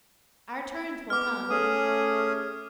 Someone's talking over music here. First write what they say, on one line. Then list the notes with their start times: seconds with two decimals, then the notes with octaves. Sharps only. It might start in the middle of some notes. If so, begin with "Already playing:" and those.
Our turns will come.
1.10 B3 D6 F6
1.50 A3 C#4 G#4 D#6